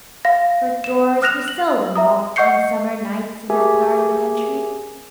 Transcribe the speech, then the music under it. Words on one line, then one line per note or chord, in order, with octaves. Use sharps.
For doors were seldom locked in the summer nights in that part of the country.
F5 A#6
E7
D#6 F6 F#6 A#6 E7 F7
F#7
E5 A#5 D#6
D#5 F#5 C#6 G6 C7 C#7
G4 G#4 A#4 E5 G#5